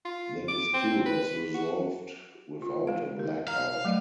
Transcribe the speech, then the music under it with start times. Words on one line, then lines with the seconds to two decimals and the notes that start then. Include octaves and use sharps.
The dispute was resolved without a blackout.
0.05 F4
0.48 D6
0.74 C4
1.06 B4
1.54 F#4
2.62 F4
2.87 G#3 F5
3.19 A#4
3.48 F5 A#5
3.85 F#3 A3 D5